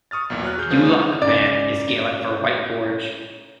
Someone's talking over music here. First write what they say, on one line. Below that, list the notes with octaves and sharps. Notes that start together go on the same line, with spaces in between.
"Beulach Ban" is Gaelic for "white gorge".
C#6 D#6 F6 A6
B1 E2 A#2
F#3 F6 F#6
G#4 F6 G6
D3 F3 G#3 A#3 C#4 D4
C#3 E3
G#2 C#3 D5